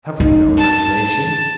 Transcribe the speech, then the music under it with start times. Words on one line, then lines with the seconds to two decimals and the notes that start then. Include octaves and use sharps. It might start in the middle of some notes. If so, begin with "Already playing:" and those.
Have you no imagination?
0.20 D#4
0.57 A5